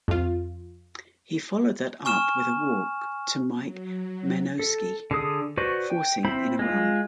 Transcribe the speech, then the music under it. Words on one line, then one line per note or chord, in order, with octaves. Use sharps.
He followed that up with a walk to Mike Menosky, forcing in a run.
F2 F4
G#5 C#6 F6 E7
F#3
A4
D3 G#4 D#6
F#4 B4 C5 D5 C#6
G5
C4 E4 C5 B5
G#3 F4